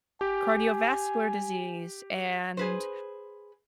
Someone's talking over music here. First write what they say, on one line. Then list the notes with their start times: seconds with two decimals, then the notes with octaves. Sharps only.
cardiovascular disease and
0.21 G4 G#5
2.57 G#4 B4 C5